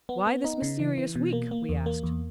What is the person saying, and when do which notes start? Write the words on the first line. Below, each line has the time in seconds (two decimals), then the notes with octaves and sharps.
"Why this mysterious week?" we asked.
0.09 B3
0.27 B3
0.44 D#4
0.62 C#3
0.80 E3
0.98 E3
1.16 B2
1.33 A#3
1.51 A#3
1.69 E2
1.86 A#3
2.03 E2